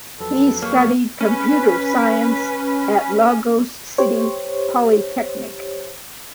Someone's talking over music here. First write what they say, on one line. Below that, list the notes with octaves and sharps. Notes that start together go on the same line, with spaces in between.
He studied Computer science at Lagos City Polytechnic.
F2 F#3 A4 B4
A3 A#3 G#4 C#5
C#4 B4
G4 C5 C#5